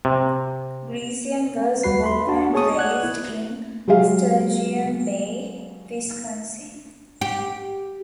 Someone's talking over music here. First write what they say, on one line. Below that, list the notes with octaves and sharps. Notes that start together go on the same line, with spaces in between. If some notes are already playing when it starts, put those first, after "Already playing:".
Greisen was born and raised in Sturgeon Bay, Wisconsin.
C3
D#2 G3 F#4 B4 C7
B5 C6
D4 F#4 A5
G#4 C#5 A5 C#6 D#6
D5 F#5 F#6 G#6
E4
F#3 G#3 G4 F5
G4